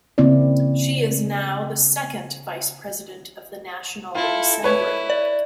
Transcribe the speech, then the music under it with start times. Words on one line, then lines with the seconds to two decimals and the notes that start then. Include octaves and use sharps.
She is now the second vice president of the National Assembly.
0.18 C#3 A#3 C4 E4 D5
4.15 E4 F4 A4
4.64 E4 B4 C#5
5.10 D5